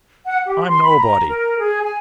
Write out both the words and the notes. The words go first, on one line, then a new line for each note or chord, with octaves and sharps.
I'm nobody.
F#5
G4
C6
B5
A#5
A#4
G#4
G#5